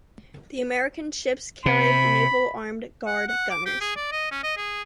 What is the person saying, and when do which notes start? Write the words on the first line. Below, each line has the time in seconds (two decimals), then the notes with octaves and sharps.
The American ships carried Naval Armed Guard gunners.
1.66 C3 B5
3.07 F#5
3.28 F#5
3.50 D6
3.66 G4
3.81 G#4
3.96 D5
4.12 D#5
4.31 C#4
4.44 D#5
4.57 G#4